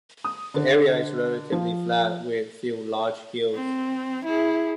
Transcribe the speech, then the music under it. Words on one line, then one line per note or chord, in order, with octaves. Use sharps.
The area is relatively flat, with few large hills.
D#6
D3
F3
C4
E4 G#4